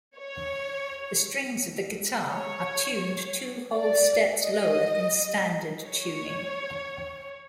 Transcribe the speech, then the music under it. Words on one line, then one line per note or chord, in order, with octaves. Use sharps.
The strings of the guitar are tuned two whole steps lower than standard tuning.
C#5
C#5
D5
D#5
C#5